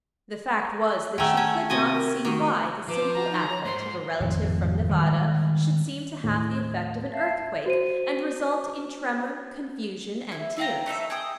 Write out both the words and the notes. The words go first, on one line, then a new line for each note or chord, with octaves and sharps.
The fact was, that she could not see why the simple advent of a relative from Nevada should seem to have the effect of an earthquake, and result in tremor, confusion, and tears.
D#3 A3 C#4 G#4 F#5 G5 A#5 E6
C#4
C3 C4 F#4 D#5 G#5
A#4
D#3 A3 F#4 D6
F3 B4 D6
A#5
D#4
C#5
G#2 C5 C6
C6
G#1 F2 A2 F3
D#3 G3 G#3
D#2 A2
E5 F5 A5
F#4 C5 D#7
E4
E5 F5 G5 A#5
A3 D#4 E5 E6
G#4 G5 D#6